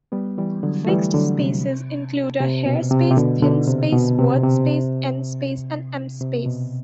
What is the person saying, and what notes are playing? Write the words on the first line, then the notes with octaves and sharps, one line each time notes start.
Fixed spaces include a hair space, thin space, wordspace, en-space, and em-space.
G3 B3
E3 G3
D3 F#3
A3
E3 G3
D3 F#3
C3
C3
B2
C3
C3
B2 D3
B2 D3
C3
B2
C3
C3
C3
B2